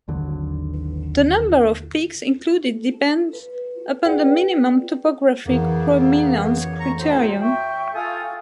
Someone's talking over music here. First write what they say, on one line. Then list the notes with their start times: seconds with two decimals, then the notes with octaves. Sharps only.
The number of peaks included depends upon the minimum topographic prominence criterion.
0.08 G#1 D#2 D3 F#3
3.33 B4
4.05 G#4 B4 D5 F#5 G5
5.46 F2 C#3 E3 A#3 B3
6.59 C#5
6.80 D2 A#5 C#6
6.99 A2 F#3 C5
7.40 E5 G5 C#6
7.93 F4 A4 G#5 D#6